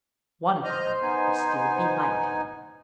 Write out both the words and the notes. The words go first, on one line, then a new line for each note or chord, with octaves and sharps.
One hand was still behind him.
C5 D#5 F6 G6
B3 D#4 G#5